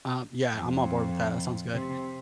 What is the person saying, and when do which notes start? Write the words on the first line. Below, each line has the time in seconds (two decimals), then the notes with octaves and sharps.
Um, yeah, I'm on board with that, that sounds good.
0.57 F2
1.73 C3